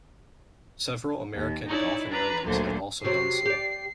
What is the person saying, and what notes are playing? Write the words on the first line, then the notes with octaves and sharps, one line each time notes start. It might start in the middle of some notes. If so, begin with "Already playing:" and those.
Several American dolphinariums had also done so.
D#2
D#4 E4 C#5 D5
D4 B4 A#5 B5
D2 A#2 D3 F#3 C5
C3 F#3 C4 C7
G4 D5